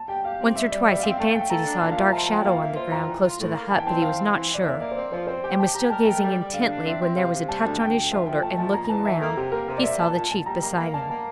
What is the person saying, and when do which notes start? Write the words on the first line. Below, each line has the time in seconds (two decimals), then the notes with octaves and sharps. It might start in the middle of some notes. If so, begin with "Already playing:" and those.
Once or twice he fancied he saw a dark shadow on the ground close to the hut, but he was not sure, and was still gazing intently when there was a touch on his shoulder, and, looking round, he saw the chief beside him.
Already playing: A5
0.08 G4 G5
0.24 G4 F5
0.40 C4
0.55 G3 E5
0.71 G3 D5
0.88 G3 E5
0.99 F5
1.03 C4 G5
1.18 A3 F5
1.34 A3 G5
1.50 A4 A#5
1.66 D4
1.81 A#2 A5
1.91 F5
1.97 F4 E5
2.08 A#5
2.12 F3 A5
2.29 F3 G5
2.45 A#3 F5
2.60 A#3 E5
2.75 F4 C5
2.91 F2 A#5
3.07 E3
3.23 F4
3.39 A2
3.54 A#3
3.70 E3 A5
3.79 G5
3.86 C4 A5
4.01 E3 F5
4.18 C4
4.34 E3
4.50 E3 D5
4.64 A#3 E5
4.80 A#3 D5
4.91 C5
4.96 C4 D5
5.11 F3 C5
5.27 C4 C5
5.43 G4 G5
5.59 G4 A5
5.74 G4 A#5
5.90 A#4 A5
6.06 A3 G5
6.23 G3
6.38 G3
6.53 D3 F5
6.69 D4
6.85 C4 E5
7.01 C4
7.16 C3 F5
7.32 C3
7.48 G3 A5
7.63 D2 A5
7.79 D2 G5
7.96 D2
8.11 F3 E5
8.26 F3 G5
8.42 A3 A5
8.58 F3 A5
8.74 A#3 A#5
8.84 A#5
8.89 E3 A5
9.05 E3 E5
9.21 A#3 A4
9.36 C3 G4
9.52 A#3 A#4
9.68 C3 A#4
9.77 D5
9.83 A#3 E5
10.00 A#2 A5
10.16 A#2 A5
10.30 A#2 A5
10.46 G3 A#5
10.62 A#3 A#5
10.78 A#3 A#5
10.94 A#3 A5
11.09 A#3 A5